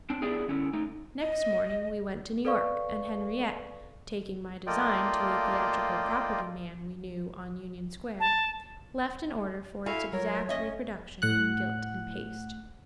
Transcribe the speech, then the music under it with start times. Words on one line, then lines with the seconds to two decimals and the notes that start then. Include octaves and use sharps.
Next morning we went to New York, and Henriette, taking my design to a theatrical property-man we knew on Union Square, left an order for its exact reproduction in gilt and paste.
0.10 C4 D4
0.22 B3 D4 E4 G4 G#4
0.48 D3 C#4 E4
0.73 A3 D#4
1.20 D#5
2.45 A4 B4 D5 F5 C#6
4.67 A3 A#3 F4 D5 D#5 G5
8.20 A5
9.86 E4 F#4 A4 F5 G#5
10.12 F#3 F4 A#4 C#5
10.49 A#3 C#4 D#5 E5
11.22 A2 F#5 F#6